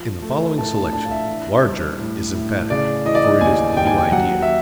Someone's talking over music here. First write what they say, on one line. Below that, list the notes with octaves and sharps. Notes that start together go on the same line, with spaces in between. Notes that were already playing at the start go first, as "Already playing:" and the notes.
In the following selection, "larger" is emphatic, for it is the new idea.
Already playing: F3
A3
A2 A5
A5
D4 A5
F5
E5
E3
G3
A2
A2
C#3 D5
E3 D#5
D5
D#5
D#2 G#5
D#2 G5
G#5
G5
F#3 F#5
E5